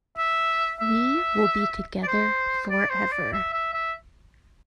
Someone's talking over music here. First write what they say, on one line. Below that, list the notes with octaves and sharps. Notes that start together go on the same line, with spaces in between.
We will be together forever.
E5
E5
D5
C5
D5
C5
D5
E5
E5
E5